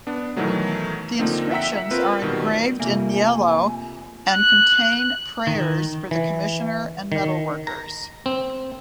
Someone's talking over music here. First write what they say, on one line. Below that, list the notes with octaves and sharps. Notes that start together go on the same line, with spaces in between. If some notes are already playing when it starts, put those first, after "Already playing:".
The inscriptions are engraved in niello and contain prayers for the commissioner and metalworkers.
B3 D4
B2 D#3 E3 F#3 A3
D3 F3 A#3 C4 D#4
E5 F#5 G5 A#5 E6 B6
C4 F4 A#4 B4
B2 D#3 G3
F2 C3 A3 A#3 G#5
F#6
D#3
E3
D#3
A#5
C4